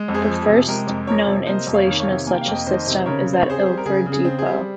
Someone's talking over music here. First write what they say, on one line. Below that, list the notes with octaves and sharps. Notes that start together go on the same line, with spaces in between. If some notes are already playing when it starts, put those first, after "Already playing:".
The first known installation of such a system is at Ilford Depot.
Already playing: G#3
F2
G#4 C5
F3
G#4
C3
G#3 G4 A#4
F2
F3 A#4 C#5
C3
A#3 C5 D#5
F2
C#5 F5
D#3
C#5 F5
C3
A#3 G#5
G5
F5
F2 D#5 G5
D#3 C5 D#5
C3
C5
C#3 A#4 C#5
C#3
C5
C#5
C4 G#4 C5
G#4 C5
G3
A#4
C#3 G#4
C#3
G#4
C4
G#4
G3